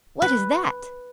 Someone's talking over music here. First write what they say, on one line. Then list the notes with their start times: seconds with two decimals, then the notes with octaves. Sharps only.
"What is that?"
0.22 B4